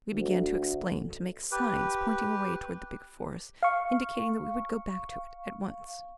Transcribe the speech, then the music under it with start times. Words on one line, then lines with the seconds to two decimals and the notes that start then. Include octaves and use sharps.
We began to explain, to make signs pointing away toward the big forest--indicating that we would go back to it--at once.
0.12 D2
1.52 G4 B4
3.63 F5 C#6